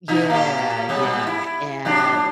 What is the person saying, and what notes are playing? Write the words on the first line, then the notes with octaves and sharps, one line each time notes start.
Yeah, yeah, and
B2 D#4
A2 G4
A#2 G3 G#3
E4
G#2 F#3 D4